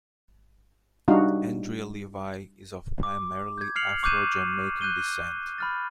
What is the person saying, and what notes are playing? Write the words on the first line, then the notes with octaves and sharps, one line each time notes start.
Andrea Levy is of primarily Afro-Jamaican descent.
G3 D4 D#4 F#4 F5
D6
G6 G#6
F6 G#6 C7 C#7 F7 F#7
C#6 D6 F#6 G6 D#7 E7
F#6 G6 D#7 G7
B5 F6 A6